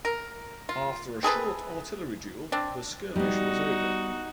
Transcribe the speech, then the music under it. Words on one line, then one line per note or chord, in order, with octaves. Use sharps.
After a short artillery duel the skirmish was over.
A#4
F4
C3 G#4 A4 B4
C4 D4
G3 B3 D#4 F#4